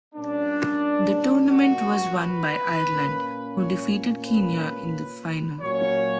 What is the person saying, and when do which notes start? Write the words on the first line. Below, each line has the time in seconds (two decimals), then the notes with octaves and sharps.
The tournament was won by Ireland who defeated Kenya in the final.
0.14 A#2 G3 A#3 C#4 D4
1.50 F#4
2.19 B4
2.87 A#2 A#3 C#4
3.56 C#5
4.24 B4
5.60 A#2 F#3 A#3 C#4 C#5